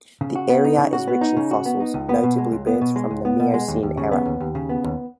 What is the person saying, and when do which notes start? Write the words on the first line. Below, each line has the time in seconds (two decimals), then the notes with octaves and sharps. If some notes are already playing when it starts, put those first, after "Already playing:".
The area is rich in fossils, notably birds from the Miocene era.
0.21 C#3
0.35 F#4
0.50 B3
0.65 D#4
0.78 C#3
0.93 F#4
1.08 B3
1.21 D#4
1.37 C#3
1.51 F#4
1.66 B3
1.80 D#4
1.94 C#2
2.09 B3
2.23 B2
2.38 G#3
2.52 C#2
2.67 B3
2.81 B2
2.96 G#3
3.11 C#2
3.25 B3
3.40 B2
3.54 G#3
3.68 D#2
3.83 D#2
3.97 C#3
4.12 B3
4.26 D#2
4.40 D#2
4.55 C#3
4.69 B3
4.84 D#2